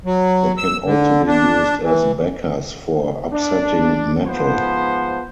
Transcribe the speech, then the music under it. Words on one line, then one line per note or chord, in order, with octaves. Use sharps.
They can also be used as backers for upsetting metal.
F#3
E6
D3
D4
E3
D4
G#2 F3 B3 C5